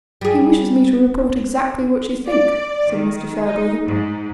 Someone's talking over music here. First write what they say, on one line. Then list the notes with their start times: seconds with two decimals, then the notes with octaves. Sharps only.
"He wishes me to report exactly what you think," said Mr. Farebrother.
0.21 G3 G#4
2.27 D5
2.91 D#3
3.44 D#4
3.85 G#2